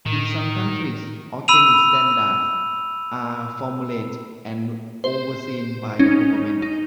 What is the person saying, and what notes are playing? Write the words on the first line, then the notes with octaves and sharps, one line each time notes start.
In some countries, organic standards are formulated and overseen by the government.
A2 D#3
B5 E6 D#7 F7
C5
C#4 D#4
D#4